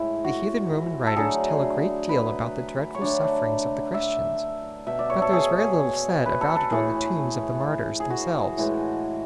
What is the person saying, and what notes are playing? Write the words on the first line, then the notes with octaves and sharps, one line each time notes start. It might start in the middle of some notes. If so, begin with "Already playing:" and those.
The heathen Roman writers tell a great deal about the dreadful sufferings of the Christians, but there is very little said about it on the tombs of the martyrs themselves.
Already playing: A2 G#3 E4
F#4
A4
D3 F#3 A3 G#4
B4
C#5
D3 F#3 A3 D5
E5
B2 A3 E5
D5
C#5
A4
G#4
B4
A4
A4
A2 E3 A3 G#4
G#4
F#4
A2 E3 G#3